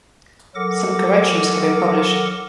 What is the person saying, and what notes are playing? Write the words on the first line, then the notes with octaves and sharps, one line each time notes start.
Some corrections have been published.
F#3 A4 A#4 F#5 D6 A#6